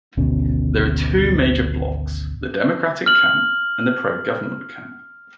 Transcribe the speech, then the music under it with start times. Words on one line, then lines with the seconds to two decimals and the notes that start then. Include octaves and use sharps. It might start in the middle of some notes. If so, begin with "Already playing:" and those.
There are two major blocs: the democratic camp and the pro-government camp.
0.17 G#1 D2 B2 C#4
3.06 F6 F#7